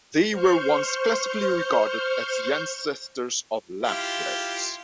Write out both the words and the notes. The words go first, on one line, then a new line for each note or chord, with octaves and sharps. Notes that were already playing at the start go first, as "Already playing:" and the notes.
They were once classically regarded as the ancestors of lampreys.
C5 C#6 F6 G6
E4 F4 G4